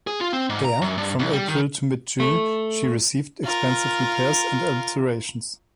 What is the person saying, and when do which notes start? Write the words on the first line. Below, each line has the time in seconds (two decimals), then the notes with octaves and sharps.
There, from April to mid-June, she received extensive repairs and alterations.
0.07 G#4
0.21 F4
0.33 C4
0.50 G#2
0.65 A#5
0.82 F#2
0.98 G2
1.19 C2
1.33 G3
1.48 D#3
2.20 A3
3.44 F4 A#4